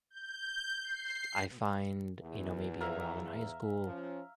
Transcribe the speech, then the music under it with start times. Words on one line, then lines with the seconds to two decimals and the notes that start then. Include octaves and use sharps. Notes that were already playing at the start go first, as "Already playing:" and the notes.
I find you know, maybe, like, when I was in high school,
0.10 G6
0.84 C7
2.22 E2
2.81 E5 F5 A#5
3.85 F3 C#4